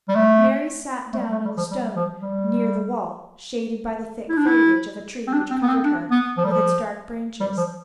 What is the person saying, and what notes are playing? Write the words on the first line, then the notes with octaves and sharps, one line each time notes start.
Mary sat down on the stone near the wall shaded by the thick foliage of a tree which covered her with its dark branches.
G3
A3
A3
G3
A3
G3
F3
G3
F3
G3
E4
D4
E4
C4
D4
C4
B3
C4
D4
B3
F3
G3
F3
G3
F3